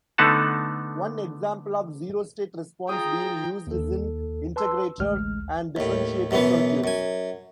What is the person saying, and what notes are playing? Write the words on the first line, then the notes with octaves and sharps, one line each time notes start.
One example of zero state response being used is in integrator and differentiator circuits.
D3 A3 B3 D#4 F#5 A5
F4 G#4 G5 A#5 D#6
D#2 A4
B4 A5 C6 E6
A1 D2 G#3 F6
D#2 A2
F#2 B2 E3 B3
F#2 G#5